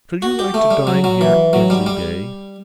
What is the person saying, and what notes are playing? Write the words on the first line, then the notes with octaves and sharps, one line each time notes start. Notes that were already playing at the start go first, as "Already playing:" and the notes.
Should you like to dine here every day?'
F#4
G4
A3
G3
F#3
F#3
E3
F#3
G3
G3